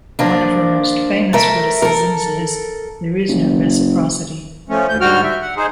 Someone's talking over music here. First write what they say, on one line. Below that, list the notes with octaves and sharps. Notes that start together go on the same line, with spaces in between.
One of her most famous witticisms is: There is no reciprocity.
F3 A#3 D4
A3 A#4 E5
A4 A#4
F#1
F3 A3 C#4
D2 A2 G6
G#2 D3 G3 F#4 G5 F6
E5
F#5
D#4 G#4 C5